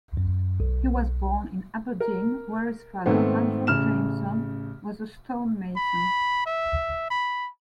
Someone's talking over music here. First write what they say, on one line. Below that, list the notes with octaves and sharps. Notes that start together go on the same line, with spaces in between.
He was born in Aberdeen, where his father, Andrew Jamesone, was a stonemason.
F#2
B1
A#4
G#2 D#3 A3 B3 C4
A1 C#3 F6 E7
B5
E5
B5